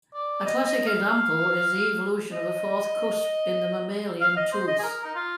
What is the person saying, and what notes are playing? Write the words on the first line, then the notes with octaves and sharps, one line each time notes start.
A classic example is the evolution of a fourth cusp in the mammalian tooth.
D5
D#5
D#5
F5
D#5
F5
D#5
C5
D#5
G#4
A#4
D#4
F4